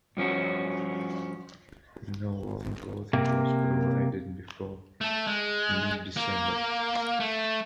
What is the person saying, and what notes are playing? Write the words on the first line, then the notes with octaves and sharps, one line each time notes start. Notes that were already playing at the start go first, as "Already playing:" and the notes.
No warm clothing was provided before mid-December.
G2 F3 C#4 F#4
C3 A#3
A3 A4
G#3
A#3
A3